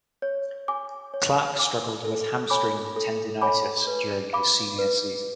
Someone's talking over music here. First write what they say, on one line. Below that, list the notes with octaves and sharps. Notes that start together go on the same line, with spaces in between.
Clark struggled with hamstring tendinitis during his senior season.
C#5
G#5 D6
C#5
G#5 D6
A4
C#5 G#5 B5 D6
A4
C#5 G#5 B5 D6
B4
F5 B5 D6
B4